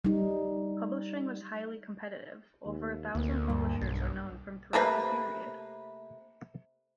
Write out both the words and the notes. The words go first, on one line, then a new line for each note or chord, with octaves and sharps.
Publishing was highly competitive; over a thousand publishers are known from throughout the period.
G3 D#4
D#2
D2 A#3
G2
B1
C3 A3 A#3 B4